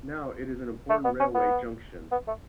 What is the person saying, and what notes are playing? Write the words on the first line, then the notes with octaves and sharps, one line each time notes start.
Now it is an important railway junction.
A3
B3
C#4
B3
B3
A3